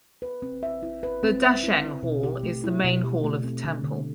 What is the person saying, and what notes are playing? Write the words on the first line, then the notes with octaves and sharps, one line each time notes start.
The Dacheng Hall is the main hall of the temple.
B4
C4
E5
E4
B4
C4
E5
E4
E4
B2
G4
A3
E4
B2
G4
A3
C4
D3
D3